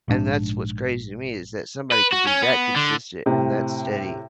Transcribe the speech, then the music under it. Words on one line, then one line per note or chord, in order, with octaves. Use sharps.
and that's what's crazy to me is that somebody could be that consistent and that steady
A#1 G#2 D4
B4
F#4
C#4
B3
D3
A2 C3